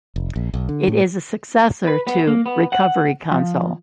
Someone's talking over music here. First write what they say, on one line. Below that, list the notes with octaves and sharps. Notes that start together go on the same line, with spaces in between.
It is a successor to Recovery Console.
F1
A#1
B1
D3
A2
B4
B3
A#3
B3
F#5
F3